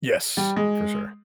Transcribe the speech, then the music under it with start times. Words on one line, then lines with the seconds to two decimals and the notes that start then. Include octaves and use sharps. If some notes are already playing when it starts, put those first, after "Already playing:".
Yes, for sure,
0.37 G3
0.56 G#3